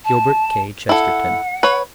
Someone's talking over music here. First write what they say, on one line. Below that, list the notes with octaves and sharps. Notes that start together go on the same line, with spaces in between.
Gilbert K. Chesterton.
A5
E4 A4 F#5
B4 C#5